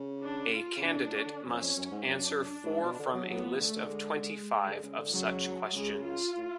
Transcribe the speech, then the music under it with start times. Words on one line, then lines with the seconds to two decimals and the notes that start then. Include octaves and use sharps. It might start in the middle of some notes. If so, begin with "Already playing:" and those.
A candidate must answer four from a list of twenty-five of such questions.
Already playing: C#3
0.23 D4
0.54 F4
0.77 C#3
0.84 B2 D4
1.04 A2
1.26 D3
1.46 F2 C#4
1.61 F2
1.77 F#2
1.91 G#2
2.07 F#2 D4
2.64 A2
2.69 G#2
2.84 B2
2.99 D3
3.14 F#3
3.29 F#3 B3
3.45 F3
3.60 D3 A3
3.77 D3
3.92 G#3
4.68 D3
4.83 C#3
4.98 D3
5.14 C#3 F#3
5.75 C#3 G#3
6.07 F4
6.37 A2